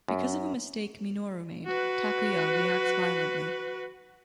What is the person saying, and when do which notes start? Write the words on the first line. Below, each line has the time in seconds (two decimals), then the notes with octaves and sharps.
Because of a mistake Minoru made, Takuya reacts violently.
0.08 F#2
1.66 F#4 B4